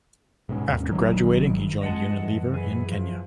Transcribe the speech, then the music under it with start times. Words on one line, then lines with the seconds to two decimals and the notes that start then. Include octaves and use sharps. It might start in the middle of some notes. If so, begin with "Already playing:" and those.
After graduating he joined Unilever in Kenya.
0.49 G#2 B2 C#4
0.66 D#2 G#2
0.91 G1 C2 D#3 F#3
1.81 F2 G#3 D#5 F#5 A5
2.14 F#2 E3
2.54 G#4 B4
2.92 F3